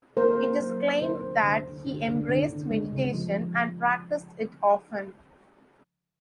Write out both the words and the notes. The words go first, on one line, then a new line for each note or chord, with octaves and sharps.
It is claimed that he embraced meditation and practiced it often.
A#3 A#4 C5
C#4
F#3
C#4
D3 A#4 C5
D3
D3
D3
D3
D3
D3
D3
G#3
C#3
F3